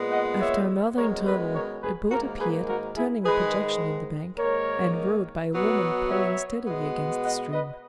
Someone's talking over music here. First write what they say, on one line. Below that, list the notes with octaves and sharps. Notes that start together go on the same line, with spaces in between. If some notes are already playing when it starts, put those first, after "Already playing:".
After another interval a boat appeared, turning a projection in the bank, and rowed by a woman pulling steadily against the stream.
Already playing: A#2 G#3 B3
D#5 F#5
C#5 E5
F#2 D#3 G#3 B3 A#4 C#5
B4 D#5
A#4 C#5
G#4 B4
G#2 D#3 A#3 F#4 A#4
G#4 B4
F#4 A#4
E4 G#4
G#2 D#3 G#3 G#4 B4
G#2 D#3 A#3 A#4 C#5
B2 F#3 B3
C#5 E5
B2 G#3 B3
D#5 F#5
B4 D#5